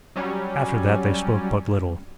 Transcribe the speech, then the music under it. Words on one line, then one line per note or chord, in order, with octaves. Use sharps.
After that they spoke but little.
F#3 G3 C#4